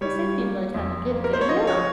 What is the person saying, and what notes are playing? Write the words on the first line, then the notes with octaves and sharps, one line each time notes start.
It's empty by time you get up there. Yeah.
G3 C#5
A#3
F2
A#3
A#4
C5
C#5
F3 D#5
C#5